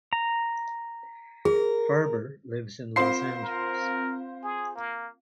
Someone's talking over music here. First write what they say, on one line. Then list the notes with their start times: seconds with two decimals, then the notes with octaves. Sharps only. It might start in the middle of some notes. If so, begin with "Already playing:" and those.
Farber lives in Los Angeles.
0.13 A#5
1.45 G#4 A#4
2.96 C4 F4 C5 F5 C6 C7
3.43 A#4
4.43 G#4
4.76 A#3